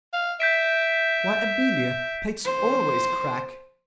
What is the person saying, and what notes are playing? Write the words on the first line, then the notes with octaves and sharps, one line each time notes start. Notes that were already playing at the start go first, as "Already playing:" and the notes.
"Why, Amelia, plaits always crack!"
F5
E5 G6 B6 D7
C5